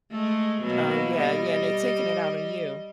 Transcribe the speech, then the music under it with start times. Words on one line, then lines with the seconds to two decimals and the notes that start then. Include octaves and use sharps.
Oh yeah, yeah, and they taking it out on you.
0.11 G#3 A3
0.62 B2 F#3 A#3
1.15 G3 D#5